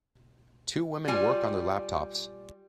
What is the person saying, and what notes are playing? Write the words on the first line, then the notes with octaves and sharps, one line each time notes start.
Two women work on their laptops.
G3 F4 G#5